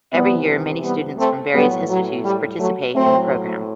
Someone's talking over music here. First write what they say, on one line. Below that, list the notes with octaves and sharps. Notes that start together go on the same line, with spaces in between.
Every year many students from various institutes participate in the program.
C3 E3 G3 B3
G3 B3
A3 C4
A2 F#3 G3 B3
F#3
G3
F#3 A3
A2 F#3 A3 C4